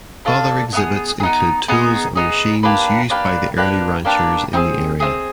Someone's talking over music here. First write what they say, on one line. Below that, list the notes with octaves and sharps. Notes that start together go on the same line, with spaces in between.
Other exhibits include tools and machines used by the early ranchers in the area.
D4 F4 A4
B3 D#4 G#4
G#4
B3 D#4
B3 D#4 G#4
B3 D#4 G#4
A#3 D4 G4 B4
A#3 D4 G4 B4
A#3 D4 G4 B4
A#3 D4 G4 B4
C4 D#4 G#4
C4 D#4 G#4